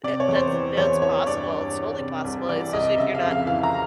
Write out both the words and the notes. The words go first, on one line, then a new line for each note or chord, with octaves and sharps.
It that's that's possible it's totally possible, especially if you're not,
C3 D5
C#5
E2
C5
E3
E2 C#5
E3 C#5
G2 D5
G2
E3
C3
C2
E3 D5
C2 D#5
C#3 E5
F5
F2
F5
E3 F5
A#5